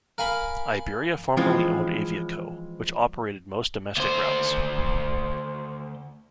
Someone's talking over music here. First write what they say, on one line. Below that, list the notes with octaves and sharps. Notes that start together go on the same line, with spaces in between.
Iberia formerly owned Aviaco, which operated most domestic routes.
A#4 F5 G#5 B5
E3 F3 G#3 C4 C#4 F4
D2 C5